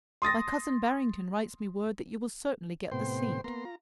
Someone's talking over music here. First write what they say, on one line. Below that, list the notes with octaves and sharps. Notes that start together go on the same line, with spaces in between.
My cousin Barrington writes me word that you will certainly get the seat.
C6 D#6 A6 A#6
A2 C3 B3 C5 G5 C6
A#3 B3 A#5 C6
F4 A#5